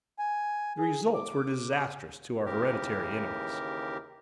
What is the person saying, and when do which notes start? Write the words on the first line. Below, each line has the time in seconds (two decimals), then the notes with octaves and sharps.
The results were disastrous to our hereditary enemies.
0.19 G#5
0.78 G#4
1.14 D6
2.46 D#2 C#3 E3 G4 A#4